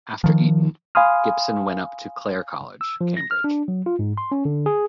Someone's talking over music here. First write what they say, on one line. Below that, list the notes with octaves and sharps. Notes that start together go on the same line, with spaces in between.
After Eton, Gibson went up to Clare College, Cambridge.
D#3 F3
F5 G#5 B5 C6 D#6 F6
E6
F3
A#6
F6
D4
F#3
F4
G#2
C6
C#4
D3
G#4